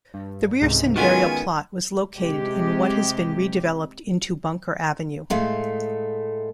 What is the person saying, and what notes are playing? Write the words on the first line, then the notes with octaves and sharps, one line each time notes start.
The Rierson burial plot was located in what has been redeveloped into Bunker Avenue.
G2
C#2 G#2 C3
D#3 G#3 B3 C#4 F4 F#4 G#5
C3 G#3 G4
A2 G#3 A3 F5